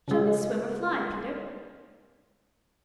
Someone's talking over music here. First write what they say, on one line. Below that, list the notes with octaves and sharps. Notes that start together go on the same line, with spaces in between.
"Shall we swim or fly, Peter?"
C#3 G#3